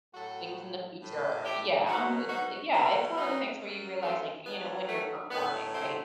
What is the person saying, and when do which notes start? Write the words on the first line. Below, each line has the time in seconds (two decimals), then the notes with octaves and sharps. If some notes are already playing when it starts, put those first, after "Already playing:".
things in the future. Yeah. It's yeah, it's one of the things where you realize, like, you know, when you're performing, right,
0.14 A2 F#3 F#4 A4
1.00 A2 E3
1.43 E4 G4
1.87 B2 F#3 D#4 F#4
2.29 D#4 F#4
2.72 B2 F#3 C4 E4
3.16 B3 D#4
3.59 F#2 F#3
4.01 A3 C4
4.45 G2 F#3 B3
4.88 A3
5.31 A2 F#3 B3
5.73 A3 C4